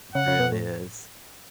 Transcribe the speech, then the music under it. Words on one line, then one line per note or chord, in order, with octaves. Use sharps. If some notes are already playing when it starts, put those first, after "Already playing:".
Really is.
C#3 F#5
C#3
B2
A2